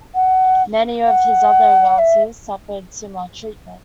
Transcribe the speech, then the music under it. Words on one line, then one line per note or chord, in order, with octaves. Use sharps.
Many of his other relatives suffered similar treatment.
F#5
F#5
E5